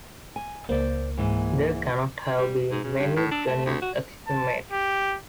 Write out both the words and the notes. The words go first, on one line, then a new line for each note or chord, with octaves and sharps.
There cannot have been many genuine ex-inmates.
G#5
C#2 A#3 C5 D5
G#2 E3
G3
G#2
C#3
G2
A2
D4
A3
D2
F#4
A5
G4